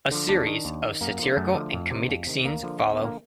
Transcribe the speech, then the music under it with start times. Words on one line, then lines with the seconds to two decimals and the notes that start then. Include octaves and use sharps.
A series of satirical and comedic scenes follow.
0.11 D3 F3
0.29 D#2 D4
0.47 D#3
0.65 D#2
0.83 D#3
1.01 F#2 A#3
1.19 D3 F3
1.37 F#2 A3
1.55 D3 F3
1.73 F2
1.91 C3 D#3
2.09 F2
2.26 C3 D#3
2.45 D2 A#3
2.63 D3 F3
2.81 D2 C4
2.93 B3
2.99 D3 F3
3.05 A#3